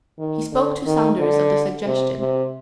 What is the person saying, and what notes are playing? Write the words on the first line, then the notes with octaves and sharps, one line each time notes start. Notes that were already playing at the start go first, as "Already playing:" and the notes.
He spoke to Saunders of the suggestion.
D#3
D3
D#3
D3
C3
C3